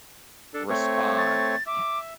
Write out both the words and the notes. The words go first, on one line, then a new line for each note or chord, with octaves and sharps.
respond yeah
D4 A4
A3 C4 C#5
A6
E5 D6